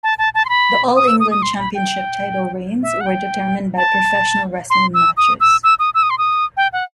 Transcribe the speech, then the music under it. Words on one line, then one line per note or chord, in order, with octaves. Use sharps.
The All-England Championship title reigns were determined by professional wrestling matches.
A5
A5
A5
C6
B5
D#6
E6
D#6
D#6
C6
B5
G5
E5
F#5
G5
A5
C6
E6
D#6
E6
E6
D#6
E6
D#6
C6
D#6
G5
F#5